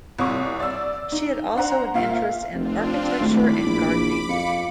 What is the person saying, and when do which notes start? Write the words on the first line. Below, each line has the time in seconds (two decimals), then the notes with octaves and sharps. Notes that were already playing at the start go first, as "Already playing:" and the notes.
She had also an interest in architecture and gardening.
0.18 C2 C#5 D6
0.60 D5 E6
1.12 D#4
1.55 D4 C5 F#5 A#5
1.94 A#2 F4 E5 F5
2.55 F1 C4 D4 F4
3.21 G#1 A3 E4 B5 D6
3.66 A#1 D7
4.29 F2 F5 C#7